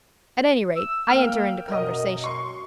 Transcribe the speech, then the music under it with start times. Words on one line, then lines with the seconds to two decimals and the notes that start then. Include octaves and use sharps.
At any rate, I enter into conversation.
0.76 E6
1.11 A#3 G5 F6
1.68 F#2 B2 A#4 D#5
2.24 C6 C#6